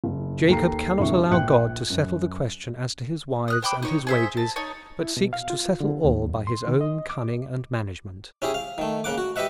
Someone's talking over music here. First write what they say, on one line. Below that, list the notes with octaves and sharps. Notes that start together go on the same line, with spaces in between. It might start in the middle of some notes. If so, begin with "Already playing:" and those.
Jacob cannot allow God to settle the question as to his wives and his wages, but seeks to settle all by his own cunning and management.
F#1
D#2 A4 A#5 C7
E1 C2 D3 E5 C#6
A#1 G5 F#6 C#7
F#2
D#6 F6 F#6
C5 G5 B5 D6
D#4 C#5 C#6
G#4 C5 E5
A5
D#4 C#5 A5
E4
B2
F5
F4
D3
D#2
F#2
C6
D#3
D#5
D6
C#4 E4 G4 G#4
F5
D#3 A3
C#3 A#3 F#5 D6
F#4
G4 B4 D#5 E5 F#5